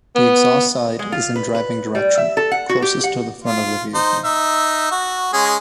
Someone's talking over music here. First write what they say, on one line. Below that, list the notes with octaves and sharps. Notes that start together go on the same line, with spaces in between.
The exhaust side is in driving direction, closest to the front of the vehicle.
B3
G#3
F4
B4
B4
G3
E5
A4
F#5
F#4
G4
F#5
F4
D#4 C5
D#4 E5
F#4
G#3 C#4 G#4